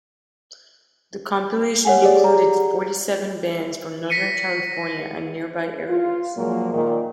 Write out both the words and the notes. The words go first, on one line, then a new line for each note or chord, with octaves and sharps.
The compilation included forty-seven bands from Northern California and nearby areas.
C#5 F#5 G#5
G4 G#4 D5
A#5
A#6 B6 C#7 D#7
F4
A#2 F3 F#3 G#3 A#3
A#2 D#3